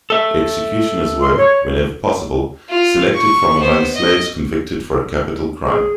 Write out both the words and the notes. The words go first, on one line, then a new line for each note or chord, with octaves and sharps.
Executioners were, whenever possible, selected from among slaves convicted for a capital crime.
A4 E5
C6
C#5
F4
C#6
B3 C5
D#5
G#4